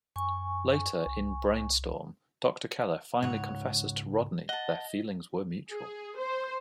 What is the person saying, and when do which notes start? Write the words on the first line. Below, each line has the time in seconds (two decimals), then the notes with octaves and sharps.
Later, in "Brainstorm", Doctor Keller finally confesses to Rodney their feelings were mutual.
0.16 F#2 G#5 C#6
1.06 C2
3.22 C#2 G#2 C#5 F#5
4.49 D#5 F#5 A5
5.70 G#4
6.17 C5